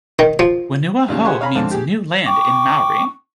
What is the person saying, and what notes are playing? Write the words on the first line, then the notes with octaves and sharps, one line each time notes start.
Whenua Hou means "new land" in Maori.
D#3
F3
A1 A#2 C#3
G4 G#4 C5 F#5 G#5 C#6
C#5 F5 G#5 A#5 B5
F2 G#2 D3 C4 F5 A5
G4 G#4
G5 C#6 D6